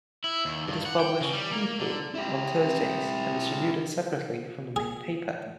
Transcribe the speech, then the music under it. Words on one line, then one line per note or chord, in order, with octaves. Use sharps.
It is published weekly, on Thursdays, and distributed separately from the main paper.
E4
D#2
G2
F#5
G5
C#3
G3
A#3
D3
E4 G4
G#4